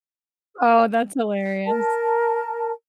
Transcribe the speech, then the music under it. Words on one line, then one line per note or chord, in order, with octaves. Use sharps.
Oh, that's hilarious.
A#4 A5